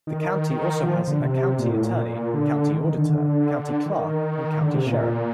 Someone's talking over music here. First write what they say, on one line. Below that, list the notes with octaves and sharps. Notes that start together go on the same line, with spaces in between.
The county also has a County Attorney, County Auditor, County Clerk, and County Sheriff.
D#3
F3
D3
C3
A#2
A2
A#2
D3
D#3
D#3
D3
D3
D#3
D3
C3
A#2